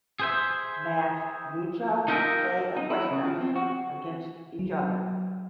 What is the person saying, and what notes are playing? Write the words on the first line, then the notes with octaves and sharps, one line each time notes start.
Mask "Lucha de Apuestas" against each other.
G#4 C5 E5
D#4 F4 G4 A#4 D#5 E5
D#4
E4
C#3
F3
C4
F#4
F#3